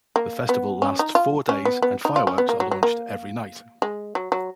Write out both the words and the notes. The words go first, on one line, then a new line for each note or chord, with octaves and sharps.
The festival lasts four days and fireworks are launched every night.
A#3
B3
C#4
D#4
F4
C#4
B3
B3
D#4
F4
C#4
B3
A#3
F#3
F#3
A#3
G#3
F#3
F#3